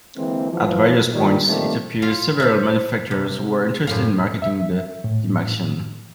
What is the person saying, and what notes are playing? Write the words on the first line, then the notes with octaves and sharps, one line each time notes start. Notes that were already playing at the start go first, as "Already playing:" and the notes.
At various points, it appeared several manufacturers were interested in marketing the Dymaxion.
D3 E3 G#3 A#3 C4
E3 F3
A#2 D#3 G3
A#2 D#3 G3 A3 A#3 C4
F4
C5 E5
C3
F#2 A2 F4
E5
A2